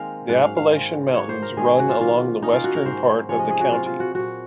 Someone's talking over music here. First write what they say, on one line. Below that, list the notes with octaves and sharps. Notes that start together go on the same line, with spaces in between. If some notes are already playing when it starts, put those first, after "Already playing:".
The Appalachian Mountains run along the western part of the county.
Already playing: D#3 G#3 A#3 C4 A#4 F5
G#2 F#3 C#4 F#5
F5
F5
D#3 G#3 C4
G#2 F#3 A#3 C#5
C5
A#4
D#3 G#3 C#4 G#4
F#4
F4
C3 D#3 F#3 A#3 F4
D#3 A#3 C#4 D#4
F4
F#4
A#4
G#2 D#3 F#3 C#4 C5
C3 F3 G#3 C#4 C#5
D#5
G#4
F#4
C3 F#3 C4 F4
F4
F#4
A#2 F#3 C4 F#4